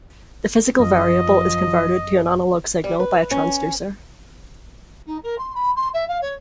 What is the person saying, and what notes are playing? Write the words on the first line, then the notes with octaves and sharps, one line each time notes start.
The physical variable is converted to an analog signal by a transducer.
F#2 F3 D#5
G3
B4
C#4
D#4
A#4
C6
B5
C6
E5
F5
C#5